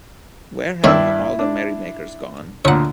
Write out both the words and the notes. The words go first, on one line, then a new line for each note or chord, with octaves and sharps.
Where Have All the Merrymakers Gone?
G2 D#3 D4 E4 C#5 F5 E6
D4
D2 A#2 C#5 F#5